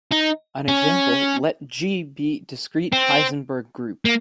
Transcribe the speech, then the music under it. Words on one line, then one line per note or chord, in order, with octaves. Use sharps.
As an example, let "G" be the discrete Heisenberg group.
D#4
C#4
C4
A#3